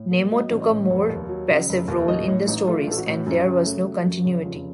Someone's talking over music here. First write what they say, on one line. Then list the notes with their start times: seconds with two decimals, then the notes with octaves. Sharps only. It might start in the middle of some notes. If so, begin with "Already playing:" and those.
Nemo took a more passive role in the stories, and there was no continuity.
Already playing: A2
0.12 A#3
0.31 F#3 D#5
0.51 A1
0.60 D#5
0.70 A2
0.90 F1 C#5
1.10 D#2
1.29 F#3
1.49 C#3
1.69 F1
1.88 D#2
2.08 A1 D#5
2.28 A2 C#5
2.47 A1 D#4
2.67 A3 F4
2.87 A1 A4
2.97 F#4
3.07 A2
3.26 F#2
3.46 C#3
3.65 A3
3.85 F#3
4.05 F#2
4.25 C#3
4.44 F1 F4